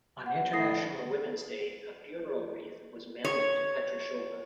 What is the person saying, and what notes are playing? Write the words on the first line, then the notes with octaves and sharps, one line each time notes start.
On International Women's Day, a funeral wreath was mailed to Petrushova.
F#5
A2 D#6 A#6 C7
C#5